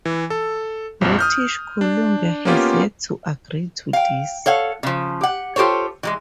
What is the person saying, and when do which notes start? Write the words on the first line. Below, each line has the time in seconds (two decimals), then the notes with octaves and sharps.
British Columbia has yet to agree to this.
0.05 E3
0.30 A4
1.01 A#1 F2
1.19 D#6 F6 G6
1.81 D4
2.45 A#3 B3 C#4 F4 G4
3.93 F5 G5
4.46 A4 C#5 F5 F#5
4.83 C#3 F3
5.21 G4 F#5
5.56 F4 G4 A4 C5 C#5
6.03 E3 F#3 G#3